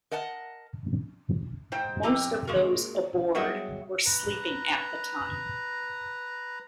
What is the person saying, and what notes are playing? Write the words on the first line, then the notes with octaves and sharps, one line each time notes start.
Most of those aboard were sleeping at the time.
A#4 D#5 F#5 A5
G#2 C5 G5
F2 A2 C4 G4 D#5 A#5
G#3 A#3 F#4 G#4 A#4
F#3 G3 B3 G#4 D#5 E5
B4 A#5